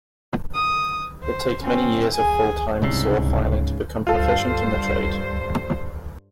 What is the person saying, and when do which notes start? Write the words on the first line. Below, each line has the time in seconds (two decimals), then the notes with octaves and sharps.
It takes many years of full-time saw filing to become proficient in the trade.
0.54 D#6
1.23 C5
1.63 C4 C#4
2.12 G#4 G#5
2.82 C2 G#2 C#3 E6 C7
4.07 G2 F4 A4 C5